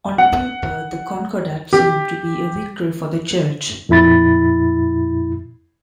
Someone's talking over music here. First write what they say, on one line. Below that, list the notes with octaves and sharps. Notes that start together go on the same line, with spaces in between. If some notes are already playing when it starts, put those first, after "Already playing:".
On paper the concordat seemed to be a victory for the Church.
F#5
G4
F2 A#2 E4 B5 A6